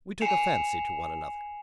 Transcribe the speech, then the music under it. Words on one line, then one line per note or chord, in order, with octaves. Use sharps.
We took a fancy to one another.
G#5 C7 C#7 E7 F7